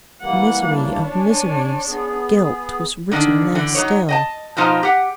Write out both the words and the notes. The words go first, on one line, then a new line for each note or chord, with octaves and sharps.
Misery of miseries!--guilt was written there still.
E3 G3 A#3 F#5
D4 C#5
G#5
B3 G#4
D3 D#3 D4
D3 E3
F#3 D#4 C#5
D#5 G5 A5
B2 F3 D#4 F4 C5 A#5
G4 F#5